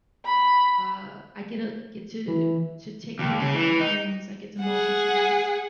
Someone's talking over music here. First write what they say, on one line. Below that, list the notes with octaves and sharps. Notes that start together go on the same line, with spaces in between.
Uh, I get, uh, get to to take care of a lot of things. I get to multitask
B5
E3
D#2
C#3
E3
D#4
G#4 F#5